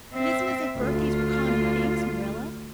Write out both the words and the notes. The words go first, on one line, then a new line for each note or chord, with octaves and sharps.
It isn't as if birthdays were common things, Marilla.
C4 E5
D2 F4